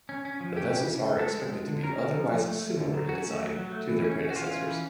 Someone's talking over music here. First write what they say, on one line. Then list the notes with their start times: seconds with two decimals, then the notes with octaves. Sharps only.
The vessels are expected to be otherwise similar in design to their predecessors.
0.09 C#4
0.25 C#4
0.40 F3
0.56 C#4 G4
0.72 C#3
0.88 C#3
1.03 A3
1.19 G#3 A4
1.35 G#3
1.52 G#3
1.68 D3
1.83 C#4 A#4
1.98 D3
2.15 F3
2.30 F3
2.46 A3
2.61 A3
2.77 D3
2.93 F#3
3.09 C#4 F#4
3.25 A3
3.41 F#3
3.56 F#3
3.72 A3
3.88 E3
4.04 C#4
4.19 C#4
4.30 F#4
4.35 E3 F4
4.51 C#4
4.67 E3